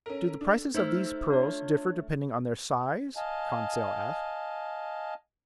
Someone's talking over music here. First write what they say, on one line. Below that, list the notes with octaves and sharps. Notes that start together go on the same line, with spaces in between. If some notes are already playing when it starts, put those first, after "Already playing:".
"Do the prices of these pearls differ depending on their size?" Conseil asked.
C#4 A4 A#4
D4
A3 D#4 C5 E6 F6 B6
D4 F4 C#5
D#5 F5 G#5 A5